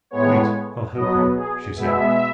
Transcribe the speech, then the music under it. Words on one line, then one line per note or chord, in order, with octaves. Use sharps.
"Wait, I'll help you," she said.
A2 G#3 B3 C#5
B2 F#3 B3 D#5
G#4
B2 G#3 B3 E5